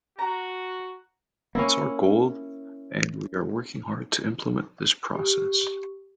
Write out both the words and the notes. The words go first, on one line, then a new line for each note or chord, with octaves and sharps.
It's our goal and we are working hard to implement this process.
F#4 A#5
A#3 C#4 E4
G4